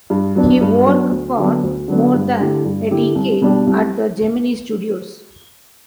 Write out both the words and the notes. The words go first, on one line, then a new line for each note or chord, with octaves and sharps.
He worked for more than a decade at the Gemini Studios.
G2
F#3 B3 D4
G2
F#3 B3 D4
D2
D3 F#3 B3 D4
D2
D3 F#3 B3 D4
G2
D3 A3 E4 G4
G2
D3 A3 E4 G4
C2
B2 G3 D4 G4
C2